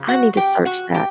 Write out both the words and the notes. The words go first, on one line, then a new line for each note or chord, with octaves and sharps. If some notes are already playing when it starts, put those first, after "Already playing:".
I need to search that.
Already playing: C#3 F3
F#4 F#5
G4 G5
F#4 F#5
G4 G5